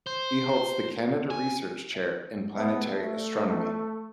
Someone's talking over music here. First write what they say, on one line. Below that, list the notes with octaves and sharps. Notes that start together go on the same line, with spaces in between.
He holds the Canada Research Chair in Planetary Astronomy.
C5
G#5
B3 D5 E5 A5
A3